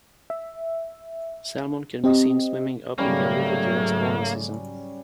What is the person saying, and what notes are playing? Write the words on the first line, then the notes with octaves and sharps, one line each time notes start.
Salmon can be seen swimming up Indian River during spawning season.
E5
C4 G4 D#5
G#2 C#3 F#3 G3 A3 A#3 C#4